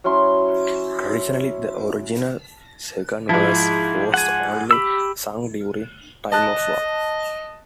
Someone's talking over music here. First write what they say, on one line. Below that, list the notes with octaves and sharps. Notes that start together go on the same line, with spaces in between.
Traditionally the original second verse was only sung during time of war.
F#3 C#4 E4 C6
G#2 F3 E4
F#5 G#5
G4 B5 E6
D#5 A5 F#6